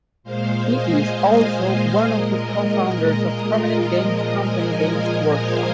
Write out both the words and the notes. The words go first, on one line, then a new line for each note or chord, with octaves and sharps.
He is also one of the co-founders of prominent games company Games Workshop.
A#2 G#3 C5 F5
D#5 G#5
A#2 G#3 A#4 D#5
A#4 D#5
F4 A#4
A#2 F3 G#3 A#4 D#5
D#5 G#5
D#5 G#5
C5 F5